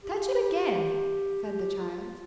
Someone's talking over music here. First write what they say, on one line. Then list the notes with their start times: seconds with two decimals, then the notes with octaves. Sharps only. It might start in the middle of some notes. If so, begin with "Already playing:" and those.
"Touch it again," said the child.
0.03 G4
1.43 G4
1.79 F4